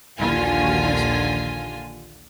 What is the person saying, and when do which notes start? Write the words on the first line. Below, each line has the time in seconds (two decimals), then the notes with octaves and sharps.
Oh my gosh.
0.19 A#1 D#2 D3 F4 G#5